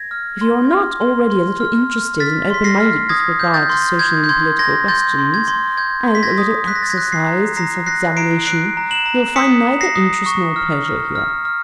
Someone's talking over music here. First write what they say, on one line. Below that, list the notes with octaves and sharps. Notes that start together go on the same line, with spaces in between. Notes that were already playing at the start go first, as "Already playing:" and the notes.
If you are not already a little interested and open-minded with regard to social and political questions, and a little exercised in self-examination, you will find neither interest nor pleasure here.
Already playing: G#6 A#6
F6
C6
F6
C6
C6
F6
F6
F6 A6 B6
C6 B6
A#6 C7
F6
D#6 G#6 A#6
G6
G6 A6
C6
G6 G#6
G6
C6 G#6
C6 G#6 A#6
C6 G6 A6
C6
G#6
C6
G6 G#6
C6
B6
G#6 A#6
D#6
F#6 B6
A#6
A6
G#6 A#6
F#6
A#6 C7
A#5
A#5 A#6 C7
F#6 A#6 C7
A#5 C7 D7
F#6 C7 D7
A#5
E7 F#7
A#5
D#6 B6 C#7
A#5
A#6 C7
D#6
C#6
F6
F6
F6
F6